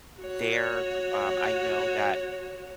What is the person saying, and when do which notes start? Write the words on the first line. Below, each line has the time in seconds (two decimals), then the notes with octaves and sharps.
they're g um, I know that,
0.20 F#4 C#5